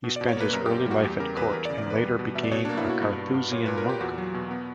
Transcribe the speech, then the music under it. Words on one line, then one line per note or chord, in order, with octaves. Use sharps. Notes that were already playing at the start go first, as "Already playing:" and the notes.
He spent his early life at court, and later became a Carthusian monk.
B2
D5
B2
C#5
A#3 B4
F#2 A#4
G4
A#3
G3 F#4
E2 G4
C#3 A#4
E2 B4
E2 A#4
D5
C#3
D5
E2 B4
G3
B2
B2 E5
D5
B2 C#5
D4
A#3
E4
B2 F#4
G2
G2
G2
A#2 C#5
A#2 B4
A#4
A#2
G4
E2 F#4
F#3
B2
B3